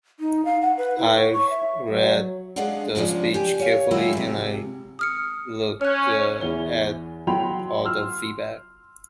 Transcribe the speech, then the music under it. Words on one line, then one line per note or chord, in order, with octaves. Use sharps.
I've read the speech carefully and I've looked at all the feedback.
D#4
F5
F#5
B4
E4
C#5
C#6
E5
F#3
G#3 D4 G#4 D#5 F5 F#5
G2 C#3 F3 G#3 D4
G4 G#5
C#5 F5
D#3 F#3 G#3 E4 F4 G4
G#2 C3
D#6 F6 C#7
C#4 C#5 F6 F#6
E2 E3 G7
F#3 G5 B5 C6 F7
C6 E6 F6